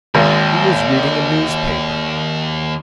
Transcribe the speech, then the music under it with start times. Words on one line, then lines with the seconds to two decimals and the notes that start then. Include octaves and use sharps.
He was reading a newspaper.
0.15 G#1 D#2